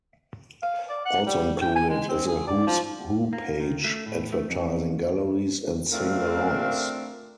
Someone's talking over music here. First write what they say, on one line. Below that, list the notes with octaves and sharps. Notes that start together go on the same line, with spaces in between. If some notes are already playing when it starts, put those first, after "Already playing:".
Also included is a who's who page, advertising galleries and sing-alongs.
F5
D5
F#5
G3
G5
G#5
G#3
C4
G#4
D5
F3
A#3
D#3
A3
A2
A3
F2
A3 C4 D4 F4 A#4 F5